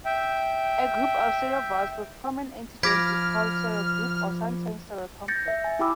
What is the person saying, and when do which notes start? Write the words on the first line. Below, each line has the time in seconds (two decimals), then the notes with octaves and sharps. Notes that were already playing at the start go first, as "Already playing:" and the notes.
A group of serovars with common antigens is called a serogroup or sometimes "serocomplex".
0.05 E5 G5
2.83 F3 B5 D6 F6 G#6 A#6 B6 D7
5.28 G6 A6 A#6 C#7
5.48 E5
5.64 G#5
5.79 E4 G4 G5 B5 D6 E6